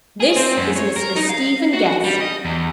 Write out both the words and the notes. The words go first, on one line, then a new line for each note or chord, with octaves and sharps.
"This is Mr. Stephen Guest."
G#4
C4
F#2
C#5
A#4
D#4
F5
F#4
G3
D#5
E2